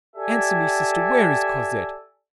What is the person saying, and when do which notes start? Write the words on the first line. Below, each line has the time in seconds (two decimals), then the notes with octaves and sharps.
Answer me, sister; where is Cosette?
0.16 G4 A4 D5 E5 G#5